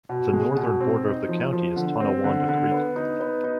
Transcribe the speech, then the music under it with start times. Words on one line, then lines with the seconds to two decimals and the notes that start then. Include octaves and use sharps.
The northern border of the county is Tonawanda Creek.
0.09 B2
0.33 G#3
0.57 B2
0.80 C4
1.05 D#4
1.28 F3
1.53 F3
1.76 D3
2.00 C4
2.24 D3
2.49 D3
2.71 B3
2.96 D#4
3.20 B3
3.44 D#4